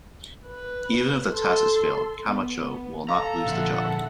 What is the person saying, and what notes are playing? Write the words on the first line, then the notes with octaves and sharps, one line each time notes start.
Even if the task is failed, Camacho will not lose the job.
B4
A4 C6
B3
A4 F5 A#5
A#2 D3 F3 E5 F#5